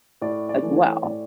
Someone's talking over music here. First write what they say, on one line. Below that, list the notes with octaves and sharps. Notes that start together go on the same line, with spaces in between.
as well.
A2 D5
D5
E3 A3
C#5
A2 D5